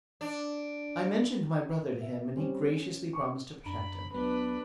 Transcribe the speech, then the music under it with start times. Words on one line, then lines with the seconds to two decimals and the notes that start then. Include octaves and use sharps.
I mentioned my brother to him, and he graciously promised to protect him.
0.21 D4
2.00 E5
2.37 G3 C4 C#4
2.75 C#4
3.13 C#6
3.66 F#2 D4 A#5 B5
4.14 C#2 F#3 B3 D4 B4